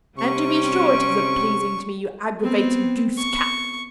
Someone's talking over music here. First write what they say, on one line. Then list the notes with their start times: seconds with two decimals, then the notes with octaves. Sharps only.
"And to be sure it isn't pleasing to me, you aggravating goose-cap!"
0.18 C3 G3 C4 C#4 C#6
2.39 B3 C4
3.17 C#6